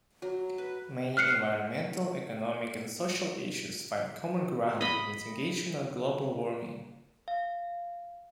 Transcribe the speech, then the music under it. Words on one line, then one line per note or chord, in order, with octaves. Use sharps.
Many environmental, economic, and social issues find common ground in mitigation of global warming.
F#3
B4
F6 F#6 C7 C#7
D#5 B5
F5